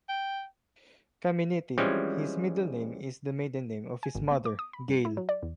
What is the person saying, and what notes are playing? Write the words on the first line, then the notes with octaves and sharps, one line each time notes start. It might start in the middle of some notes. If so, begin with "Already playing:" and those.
"Caminiti", his middle name, is the maiden name of his mother, Gail.
G5
E3 F3 G3 G#3 C4 C#4
G#5
G#1
B3
D6
D#6
B5
G2
E4
F#3
D5
E2